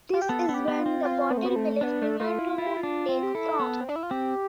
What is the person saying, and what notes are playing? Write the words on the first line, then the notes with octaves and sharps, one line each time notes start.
This is when Bottle Village began to take form.
F4
G4
B3 A4
B3
G4
B3
F4
C4
F4
B3
A3
B3
A3
B3 D4
A3
A3 F4
E4
E4 F4
G4
F4
D4
C4
G4
E4 A4
B3
C4
D4
E4
F4
C4 G4